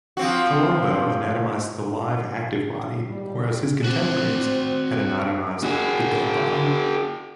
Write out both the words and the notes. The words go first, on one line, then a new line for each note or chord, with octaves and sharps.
Colombo anatomized the live, active body whereas his contemporaries had anatomized the dead body.
F3 C4 F#4
D#2 G3
C4 F#4 C5 D5
F#4 G#4